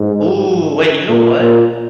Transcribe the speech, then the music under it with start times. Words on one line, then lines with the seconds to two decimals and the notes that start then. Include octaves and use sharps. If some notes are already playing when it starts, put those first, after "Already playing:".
Ooh, wait, you know what,
Already playing: G#2
1.09 A#2
1.40 A#2